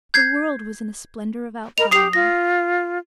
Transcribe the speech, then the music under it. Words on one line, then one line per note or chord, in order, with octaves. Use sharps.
The world was in a splendor of out-flowering.
G6 G#6 C7
A#4 D#5 B5 F7
G4 D#6 C7 F7
F4 A#6